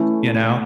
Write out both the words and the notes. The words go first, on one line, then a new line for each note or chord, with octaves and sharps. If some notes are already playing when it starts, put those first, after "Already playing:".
you know,
Already playing: E3 A3 C#4 E4